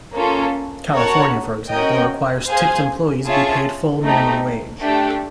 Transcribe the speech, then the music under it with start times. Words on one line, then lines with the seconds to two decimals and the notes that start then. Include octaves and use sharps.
California, for example, requires tipped employees be paid full minimum wage.
0.14 A#3 C#4 F4 A4
0.92 F#4 A#4 C#5 F#5 A5
1.70 C#4 F#4 A#4 D#5 G5
2.48 G#4 C5 F5 G#5
3.25 F4 G#4 C#5 E5 A5
4.03 A3 C4 D#4 G4
4.80 A3 D4 G4